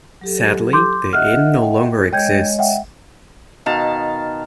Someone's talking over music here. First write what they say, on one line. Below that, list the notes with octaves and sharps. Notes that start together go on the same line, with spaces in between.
Sadly, the Inn no longer exists.
F#3 G4 A4
C6 D6 G6
D#5 E5 F#5 F6 F#6
G5
G#3 C#5 D#5 G5 G6 G#6
E5 F#5 G5
B2 D#3 F5 A5